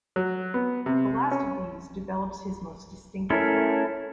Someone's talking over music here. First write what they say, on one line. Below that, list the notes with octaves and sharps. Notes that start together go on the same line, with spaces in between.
The last of these develops his most distinctive thought.
F#3
B3
C3
C#4
A3 C#4 E4 A4 A#4